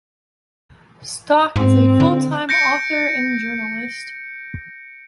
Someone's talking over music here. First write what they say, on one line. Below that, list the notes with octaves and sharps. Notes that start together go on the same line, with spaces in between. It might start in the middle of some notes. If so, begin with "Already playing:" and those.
Stock is a full-time author and journalist.
G#2 C4
D3
G6 A#6 C#7 D7